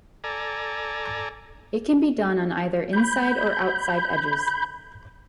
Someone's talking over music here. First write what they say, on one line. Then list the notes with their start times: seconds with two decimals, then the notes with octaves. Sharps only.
It can be done on either inside or outside edges.
0.24 A4 D5 G#5 A#5
2.93 B5 G6